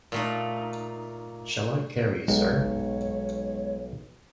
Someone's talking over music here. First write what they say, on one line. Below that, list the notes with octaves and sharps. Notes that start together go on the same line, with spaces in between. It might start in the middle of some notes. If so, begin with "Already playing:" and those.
Shall I carry it, sir?
A#2 A3 D#4
B1 G#3 C#5